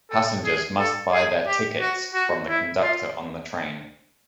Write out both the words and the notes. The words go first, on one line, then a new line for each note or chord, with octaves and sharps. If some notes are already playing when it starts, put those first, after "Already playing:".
Passengers must buy their tickets from the conductor on the train.
A4
G#4
A4
G#4
G4
F#4
F#4
E4
F4